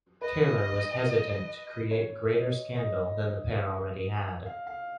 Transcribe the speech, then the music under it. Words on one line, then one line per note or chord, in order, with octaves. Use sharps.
Taylor was hesitant to create greater scandal than the pair already had.
B4 D#5
C#5
D#5
D#5
F5
F5